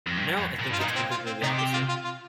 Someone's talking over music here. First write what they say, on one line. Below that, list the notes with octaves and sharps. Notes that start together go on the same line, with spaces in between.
Now, I think it's completely the opposite.
F2
G2
F2
A#2
G2 F4
A#2 D#4
C4
F4
C4
C3 D#4
G4
F4
F4
F4